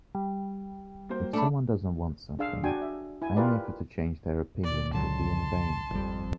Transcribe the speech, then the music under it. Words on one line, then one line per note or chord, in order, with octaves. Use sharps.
If someone doesn’t want something, any effort to change their opinion will be in vain.
G3
A#3 F#4 C5
A3 D4 A5 B5
D4 G#4 F5 E6
D4 F#4 G5 G#5
E5
E4 G#5
E4 F4 G4 A#4 B4 D5
A#2 D5
C#2 A#2 D3 F#3 A5 C6
G#1 F2 G3